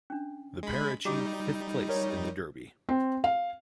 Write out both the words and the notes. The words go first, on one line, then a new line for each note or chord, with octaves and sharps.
The pair achieved fifth place in the Derby.
C#4 D4
G#3 B5
G3 D#4 F#4 G4 D6
A#4 C#5
C4
F5